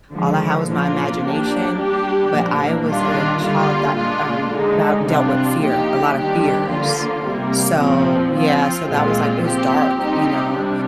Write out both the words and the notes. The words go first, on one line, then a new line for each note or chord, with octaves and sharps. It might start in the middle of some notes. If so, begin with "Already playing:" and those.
All I had was my imagination, but I was a child that, um, 'bout dealt with fear, a lot of fears. So, yeah, so that was like it was dark, you know?
D3 F3 G#3
A#2 F3 A#3 D4 F4
F3 A#3 D4 G4
G3 D4 G4
A#2 F3 A#3 D4
D#3 G3 D4 F4
D3 G3 A#3 F4
A#2 G#3 D4 F4
D3 G#3 D#4
C3 G3 D4 F4
F3 A#3 D#4 G4
D#3 G3 D4 G4
D3 F3 A#3 F4
C3 G3 A#3
A#2 F3 C4
F3 C4 F4
A#2 G#3 C4 F4
F3 C4 G4
A#2 G3 C4 D#4 G4
C3 G3 D4